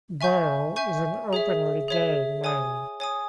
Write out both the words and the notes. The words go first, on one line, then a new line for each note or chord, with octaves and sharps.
Borrow is an openly gay man.
E5 G#5 C#6 G6
E5 G#5 C#6 G6
G#4 C#5 E5
G#4 C#5 E5
C#5 G#5 D#6
C#5 G#5 D#6